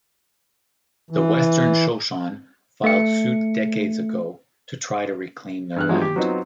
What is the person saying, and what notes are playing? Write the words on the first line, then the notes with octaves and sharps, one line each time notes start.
The Western Shoshone filed suit decades ago to try to reclaim their land.
E3
A3 C#7
G2 F6 F#6
G2 F3 F#3 G#3
G4
F#3 B3 C4 D#4 F4